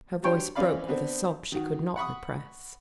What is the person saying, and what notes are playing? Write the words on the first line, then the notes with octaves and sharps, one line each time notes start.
Her voice broke with a sob she could not repress.
F#3 G3 D4 C#5 G5 C6
E3 C4 C#4 D5 F5 B5
B3 C4 D4
D#3 F#3 F#4
F#5 B5 C#6 D#6